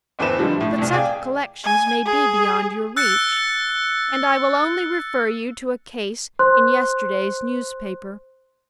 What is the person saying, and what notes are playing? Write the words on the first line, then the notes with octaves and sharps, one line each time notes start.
But such collections may be beyond your reach; and I will only refer you to a case in yesterday's newspaper.
G1 E2 C4 A4 B4 E7
D3 F3 G3 G#3
A2 A3
F1 C2
G#4 D5 F5 G5 G#5
G#5
G#4
E6 F#6 A6 C#7
C5 C6 F#6